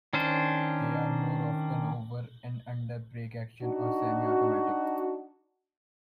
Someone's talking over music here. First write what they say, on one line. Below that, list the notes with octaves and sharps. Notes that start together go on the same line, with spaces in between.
They are more often over and under break-action or semi-automatic.
D#3 C#4 D4 C5
D4 D#4 F#4